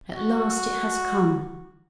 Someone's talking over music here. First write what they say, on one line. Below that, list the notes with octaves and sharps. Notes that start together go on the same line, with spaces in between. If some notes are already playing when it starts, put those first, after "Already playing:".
"At last, it has come!"
F#4